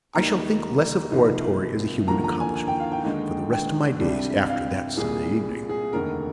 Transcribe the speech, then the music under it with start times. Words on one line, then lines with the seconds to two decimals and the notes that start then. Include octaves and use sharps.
I shall think less of oratory as a human accomplishment, for the rest of my days, after that Sunday evening.
0.15 D#2 D#3 G3 A#3 D#4 A#5
1.11 C2 C3 F3 A#3 D#4
2.07 D#2 D3 F3 A#3 A#5
2.24 A#5
2.40 G#5
2.55 G#5
2.68 G5
2.80 F5
2.92 G5
3.04 D#2 D3 G#3 D#4
3.52 G5
4.00 C2 C3 G3 D4
4.49 F5
4.97 C2 A#2 G3 G#4
5.69 G#4
5.93 F1 D#2 D3 A#4